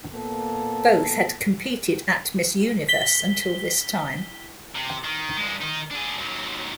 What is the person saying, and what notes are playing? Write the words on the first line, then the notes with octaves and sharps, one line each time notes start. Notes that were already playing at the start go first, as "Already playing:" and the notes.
Both had competed at Miss Universe until this time.
A#2 A#3 B3 A4
B6 G7
C3
D#3
G2 G#3
D#3 D#4
D4 G#4
D#2 F#3